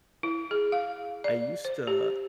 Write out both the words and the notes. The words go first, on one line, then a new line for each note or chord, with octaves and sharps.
I used t uh,
E4
G#4
F5
D5
C5
G4